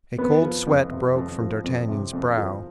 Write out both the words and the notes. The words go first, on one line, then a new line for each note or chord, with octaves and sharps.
A cold sweat broke from d'Artagnan's brow.
F2 B3
F3
F2
C3
F2
F3
F2
C3
F2
F3